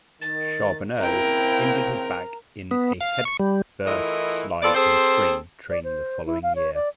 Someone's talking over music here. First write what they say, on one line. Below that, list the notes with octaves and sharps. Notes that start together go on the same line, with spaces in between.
Charboneau injured his back in a headfirst slide in spring training the following year.
D#3 A6
C#3 C4 E4 A#4 G5 A#5
B3
F5
C#6
G3
E3 A3 E4 F4 A#4 D#5
B3 F4 A4 C5 D5
C4 G#4 A4 C5
D5
C5
E4
F5
C#5
D5